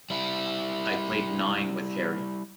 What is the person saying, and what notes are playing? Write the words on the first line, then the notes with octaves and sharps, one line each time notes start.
I played nine with Harry.
G3 E4